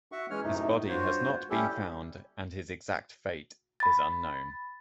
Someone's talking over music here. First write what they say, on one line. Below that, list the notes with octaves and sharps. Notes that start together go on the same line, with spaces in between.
His body has not been found and his exact fate is unknown.
F#4 E5 F#5 C#6
E3 G#3 C#4 C#5 F6
F#2 A2 C3 A3 D#4
G2 F4 F#4 C5 C#5
G3 C#4 E4 G4 A4
B5 A6